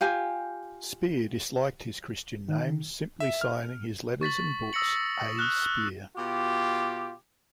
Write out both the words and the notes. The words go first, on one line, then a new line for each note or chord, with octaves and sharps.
Spir disliked his Christian name, simply signing his letters and books "A. Spir".
F4 G4 G#5
D#3
E5
F6
C#6 A6 B6 F#7
D#6 E6 A#6 C#7 F#7
D#6 F6 F#6 E7
B2 F4 G4